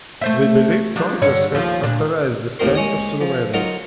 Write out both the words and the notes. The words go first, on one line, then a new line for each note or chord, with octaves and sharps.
We believe Congress has authorized this kind of surveillance.
A3 C5 E5
F3 F#3 D4
G2 D3 C#5
D#2 F3
D2 A#2 D4
D#2 A2 A#3 C4 A#4 C6
G#3 C#4 D#6
F3
F#3 D#4 F4 A#4